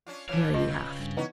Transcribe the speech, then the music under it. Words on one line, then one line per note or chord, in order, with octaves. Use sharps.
Mary laughed.
C#4 D4 F4
F2 A#2 E3 D4 C#5 F5
C4 F4 B4 D#5
C#3
G2
E3 B3 C#4 D#4 F#4